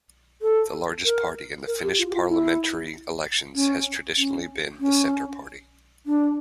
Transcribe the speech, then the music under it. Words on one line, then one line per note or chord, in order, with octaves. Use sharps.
The largest party in the Finnish parliamentary elections has traditionally been the Centre Party.
A4
A#4
A#4
G4
F4
G4
F4
E4
C#4
C#4
C#4
D4